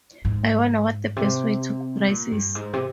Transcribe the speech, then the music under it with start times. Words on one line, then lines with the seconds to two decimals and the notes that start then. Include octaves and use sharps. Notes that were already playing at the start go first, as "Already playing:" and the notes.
I wonder what the best way to cook rice is.
0.25 G#2
1.16 C3
2.08 A#2
2.32 G2
2.55 G#2
2.73 C3